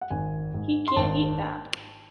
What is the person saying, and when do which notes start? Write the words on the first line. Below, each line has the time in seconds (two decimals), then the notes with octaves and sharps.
He can’t eat that.
0.01 F#5
0.10 G#1 G#5
0.54 G#2
0.88 C6
0.96 G#1 A5